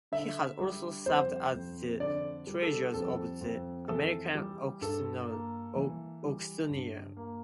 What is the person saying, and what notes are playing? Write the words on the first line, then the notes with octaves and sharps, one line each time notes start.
He has also served as the treasurer of "The American Oxonian".
D3 E5
G3
F2 C5
F2
D3 D5
G3
A4
F2 A4
F2
E3 A4
G3
G2 A4
A#3
E3
G3
G2
A#3